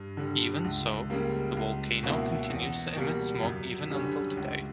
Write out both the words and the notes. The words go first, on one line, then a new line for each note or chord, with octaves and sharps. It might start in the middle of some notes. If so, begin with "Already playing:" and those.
Even so, the volcano continues to emit smoke even until today.
Already playing: G2
D3 G3
C#2
C#3 G3 A#3
C#2
B2 A#3 C#4 E4
E2
B2 G3 A#3
F#2
D3 G3 C#4
C#2